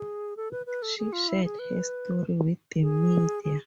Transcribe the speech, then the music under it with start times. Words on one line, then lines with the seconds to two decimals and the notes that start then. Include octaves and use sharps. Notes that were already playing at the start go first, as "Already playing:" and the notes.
She shared her story with the Media.
Already playing: G#4
0.37 A4
0.51 B4
0.66 B4
0.82 A4
0.98 G#4
1.13 F4
1.28 E4
1.44 G#4
1.59 B4
2.81 G#4
3.43 G#4